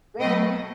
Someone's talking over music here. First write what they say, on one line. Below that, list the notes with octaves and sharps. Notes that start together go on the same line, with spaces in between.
Yeah, yeah.
B2 F#3 A3 B4 D#5